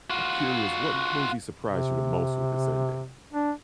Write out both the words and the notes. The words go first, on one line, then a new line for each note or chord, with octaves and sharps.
I'm curious, what movie surprised you the most with it's ending?
F4 F#4
C3
D4